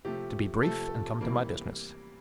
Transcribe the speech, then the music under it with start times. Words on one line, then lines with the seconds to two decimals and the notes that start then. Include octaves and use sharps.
To be brief and come to my business.
0.05 C3 F3 A3 G4
0.63 C3 F3 A3 A4
1.21 C3 E3 G3 A#3